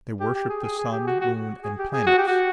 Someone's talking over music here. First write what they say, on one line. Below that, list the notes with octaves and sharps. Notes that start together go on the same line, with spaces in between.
They worshipped the sun, moon, and planets.
G4
G4
G#4
G#4
G#4
G4
F#4
F#4
G#4
G4
G#4
F#4
G4
F#4